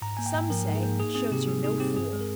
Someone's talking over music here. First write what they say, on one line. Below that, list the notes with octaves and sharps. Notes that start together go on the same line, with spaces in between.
Some say "it shows you're no fool."
G#2 A#5
A#3 G#5
G5
G#2
F3 A#4
G#2
G#4
A#3
D#4 G#4
C4 G#4
C3 G4
G3 G#4
D#4 G#4
C4 G4
G2 G#4
G#3
A#4